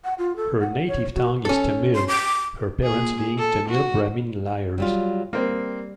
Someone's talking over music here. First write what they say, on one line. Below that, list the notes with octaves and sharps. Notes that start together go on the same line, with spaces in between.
Her native tongue is Tamil, her parents being Tamil Brahmin Iyers.
F#5
F4
A4
F#5
C#5
F#4
C#4 A4
C6
D6
A#2 G#4
A4
F#4
F#3 G3 F4
G3 A#3 C4